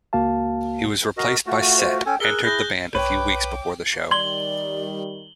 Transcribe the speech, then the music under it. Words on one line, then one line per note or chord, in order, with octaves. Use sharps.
He was replaced by Set entered the band a few weeks before the show.
C#2 A#3 F#4 F5 A5
F#4 A#4 D#5
A3 F4 F#4 F#5
C5
C#4 A4 G5 G#5
G#4 A#4 E6 F#6 G7
E4 G#4 G6 A#6
B1 B4 C#5 G5 D6
D#3 G3 D5 C6 G#6 F#7 G7